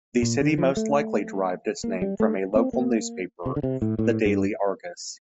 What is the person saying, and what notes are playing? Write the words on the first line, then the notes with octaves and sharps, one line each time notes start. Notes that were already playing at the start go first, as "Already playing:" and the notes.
The city most likely derived its name from a local newspaper, the "Daily Argus".
A#2
D3
F3
A3
A#3
G3
A3
C4
A#3
C3
D3
C3
A2
A2
G2